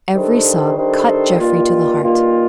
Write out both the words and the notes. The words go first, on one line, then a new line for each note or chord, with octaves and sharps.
Every sob cut Jeffrey to the heart.
D#3 G3 D4 A4 C5
D#3 G3 D4 A4 C5
G2 D#3 A#3 F4
G2 D#3 A#3 F4